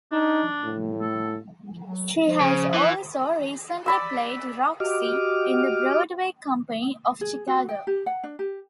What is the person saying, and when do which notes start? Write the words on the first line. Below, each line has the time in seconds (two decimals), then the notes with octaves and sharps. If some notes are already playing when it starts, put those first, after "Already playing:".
She has also recently played Roxie in the Broadway company of "Chicago".
0.12 D4 D#4
0.64 A2
1.01 A4
1.82 F#3
2.26 F3
2.41 C#3
2.74 E3
3.86 D5 B5 E6
4.80 F#4 G4 D#5 D6 F6
7.21 G#4
7.47 F#4
7.69 G5
7.87 G4
8.06 F#5
8.24 D4
8.39 G4